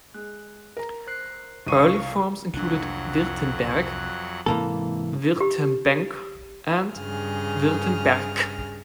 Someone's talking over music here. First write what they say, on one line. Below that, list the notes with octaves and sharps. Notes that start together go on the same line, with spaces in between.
Early forms included "Wirtenberg", "Wirtembenc" and "Wirtenberc".
G#3 F#6
A#4 A#5
C5 F#6 C7
C2 F5 C#6 D#7
C2 F2 F#3 D4 F#5
G#2 C3 E3 G#3 A#3 A4
G4
G2 C#3 G#4 F6